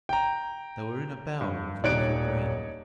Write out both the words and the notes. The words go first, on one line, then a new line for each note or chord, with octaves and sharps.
They were in a bower of leafy green.
G5 A#5
G2
D#1 D#4 C#5 D5 F#6 D7